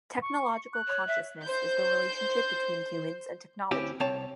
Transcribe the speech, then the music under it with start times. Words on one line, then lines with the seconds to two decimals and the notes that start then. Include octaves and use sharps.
Technological consciousness is the relationship between humans and technology.
0.22 C#6
0.73 F#6
0.88 C#5
1.07 E5
1.44 C5 G6
3.71 D2 C4 C#4 E4 G4
4.00 C2 C4 C#5 A5